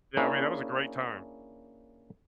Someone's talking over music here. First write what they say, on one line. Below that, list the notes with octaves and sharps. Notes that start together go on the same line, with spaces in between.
Yeah, I mean, that was a great time.
A#3 C#4 D4 E4 G#4